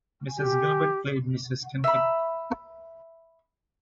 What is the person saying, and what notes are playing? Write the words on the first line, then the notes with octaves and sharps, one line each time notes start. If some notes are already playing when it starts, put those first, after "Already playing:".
Mrs. Gilbert played Mrs. Kinpeck.
G4
E5 B5